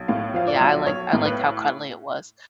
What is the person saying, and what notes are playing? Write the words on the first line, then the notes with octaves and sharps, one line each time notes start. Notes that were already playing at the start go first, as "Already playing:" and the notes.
Yeah, I liked I liked how cuddly it was.
Already playing: B1
A2 F5
F3 F5
D5
B1
B1 C#5
A2
B4